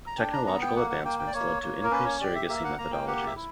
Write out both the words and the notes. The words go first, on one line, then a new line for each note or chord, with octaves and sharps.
Technological advancements led to increased surrogacy methodologies.
A#5
D4 G5
A#5
B3 A#5
G5
A#3 F#5
F#5
A#3 G5
G5
D5
A#3 C#5
A#3
A#4
C#4 B4
C#5
G4 D5
E5
A#3 E5
F#5
A#3 A#5
G5
G4 F#5
E5
E4